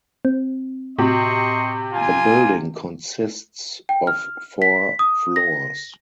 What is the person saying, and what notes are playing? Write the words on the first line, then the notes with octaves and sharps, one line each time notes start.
The building consists of four floors.
C4
A2 C3 F#4 D#5 C6 C#6
F4 G#5
G5
F6
B6
D#6
A#6